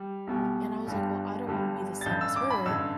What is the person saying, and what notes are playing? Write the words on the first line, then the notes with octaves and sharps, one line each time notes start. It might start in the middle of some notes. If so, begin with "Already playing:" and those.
and I was like, "Well, I don't wanna be the same as her,
Already playing: G3
B1 B2 G3
G1 G2 D3 G3
G1 G2 D3 G3
A6
A1 G2 D3 G6
E6
D6
B5
A1 G2 D3 E6